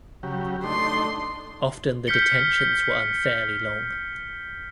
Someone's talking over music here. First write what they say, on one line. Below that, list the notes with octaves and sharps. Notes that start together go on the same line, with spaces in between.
Often the detentions were unfairly long.
C#3 F#3 G4
A3 D4 D#4 C6
F6 G6 B6 C#7 G7